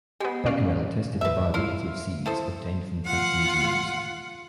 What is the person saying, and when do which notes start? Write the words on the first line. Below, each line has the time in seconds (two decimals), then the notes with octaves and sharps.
Becquerel tested the viability of seeds obtained from French museums.
0.20 G#3 B3 G4
0.46 C#4 D5 F5
1.21 D#2 B4 E5
1.54 E4 F4 F5
2.26 E4 A4 C5 D#6
3.06 F4 F#5